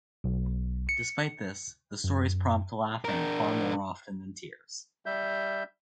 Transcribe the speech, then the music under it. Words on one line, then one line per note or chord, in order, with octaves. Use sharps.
Despite this, the stories prompt laughing far more often than tears.
B1
C#7
F#2
D4 A#4
G3 E5 G6